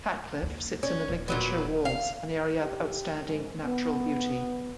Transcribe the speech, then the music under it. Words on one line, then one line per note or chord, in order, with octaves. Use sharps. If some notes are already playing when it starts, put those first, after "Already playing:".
Hatcliffe sits in the Lincolnshire Wolds, an Area of Outstanding Natural Beauty.
D#2
C#4
D#1
A#2 F#3 B3
F5
G4
G#2
B3